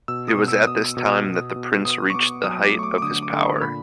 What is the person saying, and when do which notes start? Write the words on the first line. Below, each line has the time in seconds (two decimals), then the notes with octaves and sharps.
It was at this time that the prince reached the height of his power.
0.08 B2 E6
0.28 D#6
0.37 B2
0.48 E6
0.67 B2 D#6
0.97 B2
1.06 D#6
1.26 B2
1.56 B2
1.85 B3 D#6
2.10 C#6
2.14 B3 D6
2.44 F#3 D#6
2.64 D6
2.74 A3
2.79 C#6
2.83 D6
2.98 D6
3.02 D3 D#6
3.23 D6
3.33 D3
3.42 C#6
3.62 A#2 B5